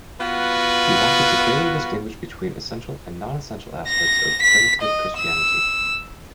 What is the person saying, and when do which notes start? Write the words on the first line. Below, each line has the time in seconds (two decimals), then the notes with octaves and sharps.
He wanted to clearly distinguish between essential and non-essential aspects of primitive Christianity.
0.20 B3 F4 F#4 B4
3.88 A#6
4.43 B6
4.83 D#5
5.18 E6